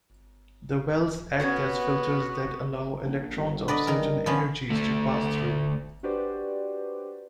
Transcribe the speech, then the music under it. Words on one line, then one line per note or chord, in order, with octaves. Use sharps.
The wells act as filters that allow electrons of certain energies to pass through.
B3 C#4 F#4 C#5 F#5
A#1
G1
D3 B4 D5 D#5
D#3 A#4
G2
F3 B3 C#4
D2 A3
D4 F#4 G4 B4 C5 D5